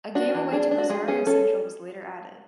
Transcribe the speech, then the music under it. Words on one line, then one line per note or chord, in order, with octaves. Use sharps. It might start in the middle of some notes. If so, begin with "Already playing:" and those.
A game away to Rosario Central was later added.
D4 F#4
E3
D4 G#4
D4
F#4
G#3 G#4
C#4 G#4
C#4 A4